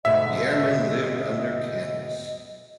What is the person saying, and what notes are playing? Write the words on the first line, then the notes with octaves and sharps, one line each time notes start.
The airmen lived under canvas.
D2 G#2 B2 D#5 E5